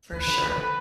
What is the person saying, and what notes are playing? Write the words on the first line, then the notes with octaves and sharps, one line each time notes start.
For sure.
D2 B4
D3 F3
D2
D3 F3